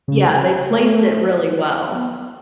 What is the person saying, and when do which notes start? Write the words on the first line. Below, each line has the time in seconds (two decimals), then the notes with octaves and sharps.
Yeah, they placed it really well.
0.08 C#3
0.70 A3
1.95 B3